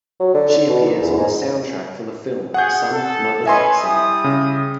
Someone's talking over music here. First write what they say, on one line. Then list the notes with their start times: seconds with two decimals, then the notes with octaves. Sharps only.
She appears on the soundtrack for the film "Some Mother's Son".
0.20 F#3
0.34 D3
0.49 D3
0.69 B2
0.86 A#2
1.01 E2
1.17 G#2
2.54 F#4 G#4 F#5 G6
2.93 A4
3.46 C#4 B4 D#5 E5 G#5 C6
3.82 G3 E4 D#6
4.24 C#3